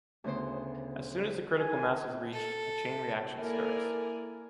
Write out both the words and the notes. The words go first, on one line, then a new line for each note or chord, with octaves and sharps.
As soon as the critical mass is reached, the chain reaction starts.
D2 C#3 B3 C5 C6
G#5
A4
A#3 E4 A4 A#4 D5 G#5